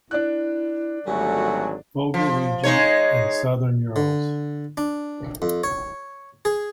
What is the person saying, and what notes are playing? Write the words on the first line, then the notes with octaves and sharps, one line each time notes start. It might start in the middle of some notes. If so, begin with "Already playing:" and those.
Volga region and Southern Urals.
D4 E4 D5 F#6
G#1 D3 F#3 G3 A3 F#4 G#5
F3
G#3 D#4 C#5
D3
D4
F2
C#5
G#4